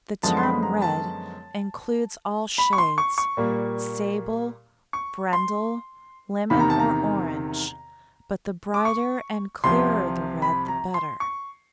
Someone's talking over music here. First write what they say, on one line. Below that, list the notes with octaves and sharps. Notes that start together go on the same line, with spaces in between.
The term red includes all shades, sable, brindle, lemon or orange, but the brighter and clearer the red the better.
F#2 D3 F3 G#3 B3 A5
C6
B5
A#5
A5
B5
C#6
C6
C#6
C#6
A#2 G3 A#3
C#6
C6
E2 C3 D#3 B5
A#5
A5
A#5
D6
C#6
C2 C3 F3 C6
B5
A#5
C6
C#6